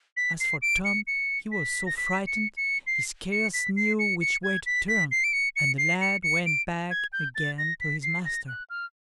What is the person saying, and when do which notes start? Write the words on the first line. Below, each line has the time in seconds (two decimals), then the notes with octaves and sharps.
As for Tom, he was so frightened he scarce knew which way to turn, and the lad went back again to his master.
0.17 B6
0.40 C7
0.62 D7
0.85 C#7
1.07 C#7
1.52 B6
1.86 A#6
1.97 B6
2.27 C#7
2.57 C#7
2.87 C7
3.32 C#7
3.54 B6
3.77 C7
3.99 C#7
4.21 C#7
4.44 G#6
4.66 B6
4.88 B6
5.12 C7
5.24 D7
5.33 C#7
5.56 C#7
5.78 C7
6.01 C#7
6.23 C#7
6.46 D7
6.91 G#6
7.13 G6
7.35 A6
7.58 A#6
7.81 B6
8.03 C7
8.25 A#6
8.48 F#6
8.70 F6